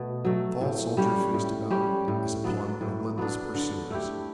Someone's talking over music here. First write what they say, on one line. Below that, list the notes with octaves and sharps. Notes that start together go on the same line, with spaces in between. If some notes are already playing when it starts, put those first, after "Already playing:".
The tall soldier faced about as upon relentless pursuers.
Already playing: B2 A3
F#3 A3
A2
G3 C#4 G4
A2
G3 C#4 G4
A2
F#3 B3 D4
A2
F#3 B3 D4
D3
A3 E4 G4